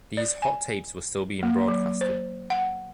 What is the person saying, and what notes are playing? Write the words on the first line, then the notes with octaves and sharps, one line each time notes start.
These hot tapes were still being broadcasted.
D5
G#5
A#3
F#3
C5
F#5